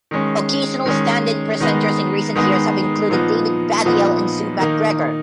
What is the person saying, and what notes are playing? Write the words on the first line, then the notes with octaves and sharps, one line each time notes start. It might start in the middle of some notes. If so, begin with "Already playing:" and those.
Occasional stand-in presenters in recent years have included David Baddiel and Sue MacGregor.
D#3 G#3 C#4
D#3 G#3 C#4
D#3 G#3 B3 D#4
D#3 G#3 B3 D#4
A#2 F3 B3 D#4
A#2 F3 B3 D#4
D#3 A#3 D#4